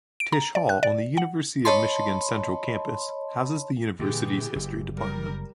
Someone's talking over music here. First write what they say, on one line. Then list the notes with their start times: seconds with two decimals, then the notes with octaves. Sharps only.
Tisch Hall, on the University of Michigan central campus, houses that university's history department.
0.20 D7
0.32 A#5
0.55 D5
0.69 F#6
0.83 D5
1.17 F#5
1.65 C#5 D#5 A5 B5 C6
3.99 A#2 D3 E3 G4 G#4
4.55 F#1
4.94 G3 A#4